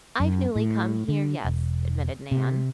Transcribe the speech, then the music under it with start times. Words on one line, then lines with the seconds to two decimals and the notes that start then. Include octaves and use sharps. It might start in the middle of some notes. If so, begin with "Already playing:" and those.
"I've newly come here, yes," admitted Nan.
0.20 F#2
0.56 A2
1.08 D3
1.45 E1
2.31 C3